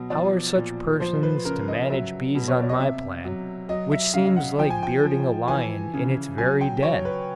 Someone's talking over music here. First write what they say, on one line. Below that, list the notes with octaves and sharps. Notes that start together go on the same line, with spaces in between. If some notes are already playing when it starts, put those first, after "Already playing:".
How are such persons to manage bees on my plan, which seems like bearding a lion in its very den!
Already playing: B2 F#3
F3 D5
A#2
F3 C5
B4
C#3 A#4
D#5
F#3 E5
B2
C#5
D5
D#5
C3 E5
F#3
F#3 D#5
E5
C#3 F5
F5
F#5
F3 G5
G#5
G5
F3
E3 G#5
C#3
F#3 G#5
G5
F#3 C#5
B4